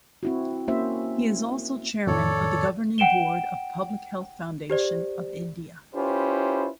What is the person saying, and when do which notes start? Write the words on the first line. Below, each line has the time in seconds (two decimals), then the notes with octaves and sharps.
He is also Chairman of the Governing board of Public Health Foundation of India.
0.23 C4 E4 F#4
0.68 A#3 C#4 E4 F#4 C5 E5
2.07 F2 A2 D#3 A4 C#5 D5
2.98 F#5 G5 D7 E7 G7
4.70 G4 C5 D5
5.95 C#4 E4 F4 G4 B4 C5